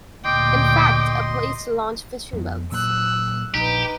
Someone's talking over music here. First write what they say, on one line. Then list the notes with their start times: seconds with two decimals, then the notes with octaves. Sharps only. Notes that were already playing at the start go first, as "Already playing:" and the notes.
In fact a place to launch fishing boats.
0.25 D2 A#2 D#5 G5 C6 D6
2.33 F2 B3
2.72 A#2 F#3 A#3 E6 F#6
3.54 A#1 D#4 G4 B4